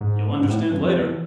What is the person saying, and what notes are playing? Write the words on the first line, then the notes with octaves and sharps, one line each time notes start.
You'll understand later....
G#2
G#2
A2
G2
F2
E2